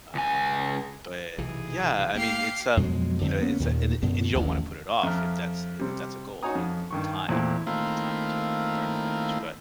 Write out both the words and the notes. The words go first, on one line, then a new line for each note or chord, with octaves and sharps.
Uh, but, yeah, I mean, it's, um, you know, it's and y y y you don't want to put it off if that's if that's a goal. I mean, you know, time. Y you need the time to to learn the language. But,
C#2 G#5
B1 C3 E3 G#4
A#3 G4 F5 C7
F2 B2 F#3 G#3
F2 D3 C4
A#3 B3 C#4
D#2 A#2 D#3
F#2 B2 D3
D1 A1 D#2 D3
F2 E5 A#5 F6
C3 G3
D#4 F#4 C#5 G#5 A#5 D#6
F2
G2 D#3 C#6
E2 A#2 A3 E4 C5 G5
D#3 A3 A#3 C4 E4 F4